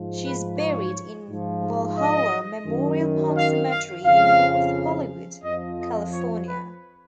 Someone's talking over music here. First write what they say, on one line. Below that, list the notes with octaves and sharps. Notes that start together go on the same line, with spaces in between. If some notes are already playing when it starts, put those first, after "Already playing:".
She is buried in Valhalla Memorial Park Cemetery in North Hollywood, California.
Already playing: G#2 F3
B4
C#5
G#2 F3
D#5
F#2 D#3
F5
F5
F2 C#3 F3 F5
F2 F3 D#5
D#5
C#5
B4